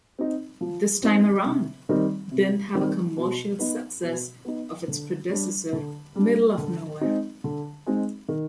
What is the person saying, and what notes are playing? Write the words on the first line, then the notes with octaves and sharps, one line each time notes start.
"This Time Around" didn't have the commercial success of its predecessor "Middle of Nowhere".
C4 D#4
F3
C4 D#4
C3
D#3 G3 C4 D#4
C3
D#3 G3 C4 D#4
B2
B3 D#4
B2
B3 D#4
D3
G3 D4
D3
G3 D4
D3
G#3 C4 D#4
D3
G#3 C4 D#4
D#3